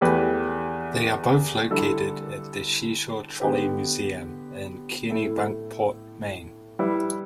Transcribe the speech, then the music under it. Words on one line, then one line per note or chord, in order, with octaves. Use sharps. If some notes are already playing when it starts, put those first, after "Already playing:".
They are both located at the Seashore Trolley Museum in Kennebunkport, Maine.
E2 E3 A3 G4 B4
D3 G3 E4 A4
D3 B3 G4 B4
A2 A3 E4 A4
G3 E4 B4